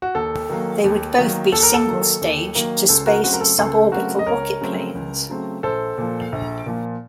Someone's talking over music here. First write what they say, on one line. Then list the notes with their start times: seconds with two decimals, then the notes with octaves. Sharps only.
They would both be single-stage to space sub-orbital rocketplanes.
0.02 F#4
0.15 D#2 A4
0.49 D#3 F#3 A#3
0.84 D#2
1.18 D#3 F#3 A#3
1.52 D#2 A4
1.63 A#4
1.74 A4
1.87 D#3 F#3 A#3
2.21 D#2
2.55 D#3 F#3 A#3
2.89 C#2 A4
3.06 F#4 A#4
3.24 C#3 F#3 A3 C4 F#4
3.33 A#4
3.41 A4
3.58 C#2 A4
3.92 C#3 F#3 A3 C4 F#4 A#4
4.19 D#5
4.26 C#2 A#4 C#5
4.61 C#3 F#3 A3 C4
4.95 C#2
5.29 C#3 F#3 A3 C4
5.63 A#1 A4 C5
5.98 A#2 F3
6.32 A#1
6.66 A#2 F3